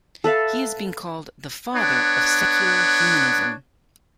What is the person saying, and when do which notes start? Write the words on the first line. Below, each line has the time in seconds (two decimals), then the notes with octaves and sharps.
He has been called "the father of secular humanism".
0.24 A4 B4 E5 F5
1.74 B3 D4 C#5